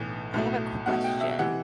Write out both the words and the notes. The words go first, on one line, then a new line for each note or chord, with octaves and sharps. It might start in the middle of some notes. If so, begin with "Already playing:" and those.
I have a question.
Already playing: B1 A2 E3 A3
B1 A2 F#3 A3
B1 B2 A3 F#5
G5
E5
C3 E3 F#5